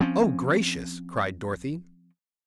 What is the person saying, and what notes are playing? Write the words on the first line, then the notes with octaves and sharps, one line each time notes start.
"Oh, gracious!" cried Dorothy.
F3 C4 C#4